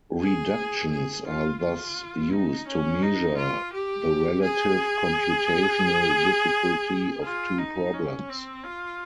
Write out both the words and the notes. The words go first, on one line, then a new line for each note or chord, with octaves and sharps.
Reductions are thus used to measure the relative computational difficulty of two problems.
G#4
G#4
F4
F4
D#4
C#4
D#4
F4
G4
G#4
F4
D#4
C#4
C4
F4